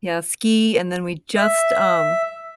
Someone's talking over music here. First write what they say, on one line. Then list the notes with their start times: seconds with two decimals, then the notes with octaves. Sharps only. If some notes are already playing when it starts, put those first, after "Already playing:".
Yeah, ski, and then we just, um
1.36 E5